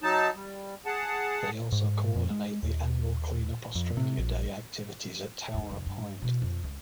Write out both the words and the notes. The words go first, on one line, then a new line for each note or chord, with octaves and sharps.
They also coordinate the annual Clean Up Australia Day activities at Towra Point.
F#3 D#4 A5
G3
G#4 F#5 A5
G#2
F2
G#3
D#2
F2
C3
A#1
E2 G#2
F1 C#2
G2
B2 E3
F2
C#2